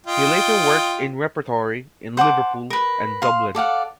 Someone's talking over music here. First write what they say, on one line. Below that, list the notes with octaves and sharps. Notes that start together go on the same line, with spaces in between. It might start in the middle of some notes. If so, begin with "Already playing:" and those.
He later worked in repertory in Liverpool and Dublin.
F4 D#5 G5
C5 F#5 A5 D6
A#4 B4
F5 C6
A4 D5 F5 F#5